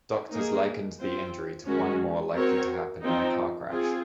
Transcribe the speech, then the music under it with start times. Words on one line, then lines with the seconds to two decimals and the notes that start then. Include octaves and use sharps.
Doctors likened the injury to one more likely to happen in a car crash.
0.31 A#3 D#4 G#4
1.00 C4 F4 C5
1.67 D#3 G#3 C#4 F#4
2.35 C4 F#4 A#4 C#5
3.03 F3 C4 D#4
3.71 C4 F4 G#4